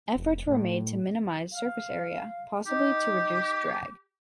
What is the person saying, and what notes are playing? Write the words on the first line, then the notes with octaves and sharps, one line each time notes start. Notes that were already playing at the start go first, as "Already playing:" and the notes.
Efforts were made to minimise surface-area, possibly to reduce drag.
F1
A2
F5
D#4 G4